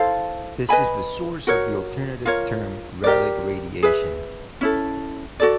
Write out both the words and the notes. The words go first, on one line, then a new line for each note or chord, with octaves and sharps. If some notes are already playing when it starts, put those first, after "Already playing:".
This is the source of the alternative term "relic radiation".
Already playing: E4 A4 C5 F5
B4 D#5 G#5 B5
F#4 A#4 C#5
F4 A#4 C#5
G4 A#4 D5
G#4 B4 E5
C#4 E4 A4
F#4 A4 D5